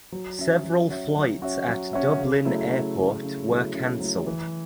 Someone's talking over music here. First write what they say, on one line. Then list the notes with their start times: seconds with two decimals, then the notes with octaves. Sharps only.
Several flights at Dublin Airport were cancelled.
0.12 F#3
0.39 C#4 F#4 C#5 E5
0.64 F#3
0.90 C#4 F#4 C#5 E5
1.16 F#3
1.42 C#4 F#4 C#5 E5
1.68 F#3
1.93 C#4 F#4 C#5 E5
2.20 C#3
2.45 F#3 A3 E4
2.71 C#3
2.97 F#3 A3 E4
3.23 C#3
3.49 F#3 A3 E4
3.74 C#3
4.00 F#3 A3 E4
4.27 E3